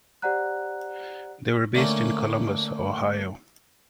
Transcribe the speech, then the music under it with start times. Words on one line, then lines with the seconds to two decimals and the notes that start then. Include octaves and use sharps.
They were based in Columbus, Ohio.
0.22 G4 C5 D5 F#5 A#5 F#6
1.75 D3 A3 A#3 C#4